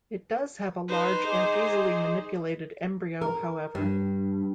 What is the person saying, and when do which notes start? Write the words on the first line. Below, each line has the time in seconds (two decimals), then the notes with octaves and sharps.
It does have a large and easily manipulated embryo, however.
0.88 D#4 B4 C5
1.26 G#4 D#5 D6
3.22 A#4
3.75 G2